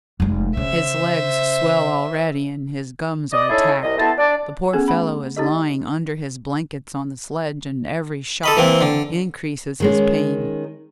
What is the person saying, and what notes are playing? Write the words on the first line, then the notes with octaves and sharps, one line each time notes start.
His legs swell already, and his gums are attacked; the poor fellow is lying under his blankets on the sledge, and every shock increases his pain.
F1 G#3
C#3 C5 E5
D5 D#5 D#6
C#4 D#4 E4 G#4 A4
C2 D#5
B3 E4 A4 C5 A5
D4 D5
B3 C#4 G#4 A4
A3 F#5 B5
D#4 G4 A4 D#5
A4 D#5 B5
E3 A#3 C4
D3
D#3 G#3 C#4